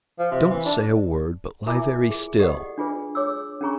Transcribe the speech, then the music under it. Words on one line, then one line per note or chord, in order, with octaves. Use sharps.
"Don't say a word, but lie very still."
F3
C3
E3
D4
E4 F4 A#4 E5 G#5 D6
G#4
G4 A4 D5 D#5 F#5
D4 F4 G#4 B4
G#4 C#5 D6 E6
C#4 D4 G#4 A#5 C#6